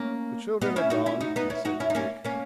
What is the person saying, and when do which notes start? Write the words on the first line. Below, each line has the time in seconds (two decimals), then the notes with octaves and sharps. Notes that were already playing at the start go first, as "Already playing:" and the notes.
"The children are gone," I said to Dick.
Already playing: A#3 C#4
0.61 B3 D#4
0.76 C#4 E4
0.90 D#4 F#4
1.06 C#4 E4
1.21 D#4 F#4
1.36 B3 D#4
1.50 C#4 E4
1.65 D#4 F#4
1.80 C#4 E4
1.90 D#4
1.95 A#3 C#4
2.24 A#3 C#4